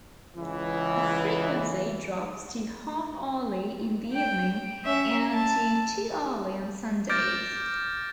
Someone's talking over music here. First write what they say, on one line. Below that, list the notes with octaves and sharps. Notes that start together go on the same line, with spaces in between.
The frequency drops to half-hourly in the evening and to two-hourly on Sundays.
C#2 E3
G5
C#4 E5
A5
D6 F6 G6 A6 A#6 D7